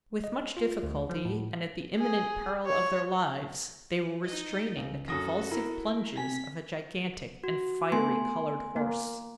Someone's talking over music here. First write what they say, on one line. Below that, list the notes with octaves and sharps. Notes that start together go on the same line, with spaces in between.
With much difficulty, and at the imminent peril of their lives, they were restraining the convulsive plunges of a gigantic and fiery-colored horse.
D#5
F4
D2
F3
A2
G#4
C#5
D#4 D#5
C#2
F#2 F#4 A4 D#6 A#6
E4 A#4 A#5
C3 G#5 B6
F#4
A3 B3 G#5 C6
A#3